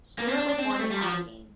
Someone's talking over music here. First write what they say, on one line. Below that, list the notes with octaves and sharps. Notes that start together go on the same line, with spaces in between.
Stewart was born in Aberdeen.
A#3
C4
D4
D4
C4
C4
A3
G3
F3